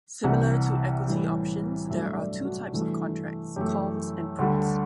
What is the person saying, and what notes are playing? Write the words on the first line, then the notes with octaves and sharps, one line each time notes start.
Similar to equity options, there are two types of contracts: calls and puts.
C2 C3 E3 G3 F#5
A2 E3 G3
G2 F#3 A3 E5
D5
F#4
G2 E3 A3
F#2 E3 A3 G4
D2 D3 G3